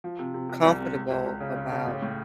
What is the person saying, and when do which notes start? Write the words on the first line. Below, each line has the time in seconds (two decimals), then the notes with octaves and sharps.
comfortable about,
0.04 F3
0.19 C3
0.34 C3
0.49 C3
0.65 C2
0.80 C3
0.95 C#2
1.10 C#2
1.26 C#2
1.40 C#3
1.56 C#3
1.71 C#3
1.86 A1
2.02 A2